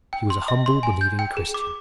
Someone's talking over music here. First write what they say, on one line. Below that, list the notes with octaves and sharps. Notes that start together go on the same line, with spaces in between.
She was a humble, believing Christian.
G5
C6
D#5
C6
G#5
G6
G5
G#4
D6